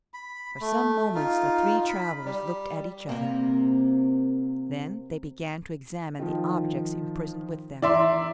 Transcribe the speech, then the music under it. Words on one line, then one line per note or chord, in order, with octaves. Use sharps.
For some moments the three travelers looked at each other. Then they began to examine the objects imprisoned with them.
B5
A3
D#4 F4
B5
G3
C3 A#3
D#3 F3
E3 D5 E5 A#5 C6